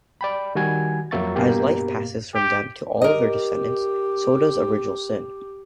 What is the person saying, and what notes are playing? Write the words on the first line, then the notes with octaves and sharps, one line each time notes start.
As life passes from them to all of their descendants, so does original sin.
D5 G5 B5
D#3 G3 F#4 G#5 G#6
F2 F#3 A#3 E5 C#6 A6
G2 B2 G3 A#3 G4
G4
G4 A#4 D#5